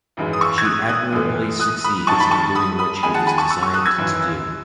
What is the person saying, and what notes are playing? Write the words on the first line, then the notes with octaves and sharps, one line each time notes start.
She admirably succeeds in doing what she was designed to do.
G#1 F#2 E3 G#3
D#6
C#6 E6
G#6
D#6 F#6
D#6 F#6
F#2 E3 A3
D#6 F#6
B5 D#6
F#2 D#3 F#3 A5 C#6
B5
A5 C#6
B5 D#6
B5 D#6
D#2 D#3 G#3 G#5 B5
F#5 A5
G#5 B5
A5 C#6
C#6 E6
C#6 E6
D#6 F#6
E6 G#6
G#1 F#2 E3